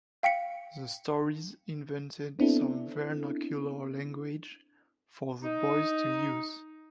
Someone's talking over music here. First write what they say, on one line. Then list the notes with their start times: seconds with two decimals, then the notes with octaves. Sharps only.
The stories invented some vernacular language for the boys to use.
0.23 F5 G5 B6 C#7
2.39 B3 C4 D4 E4 A4
5.42 D#4